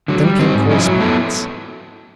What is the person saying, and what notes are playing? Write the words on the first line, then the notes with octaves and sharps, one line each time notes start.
Then came correspondence.
D3 F#3
G3
C4 D#4
G#2
F3 G#3 C#4 E4
F#3
B3 E4 A4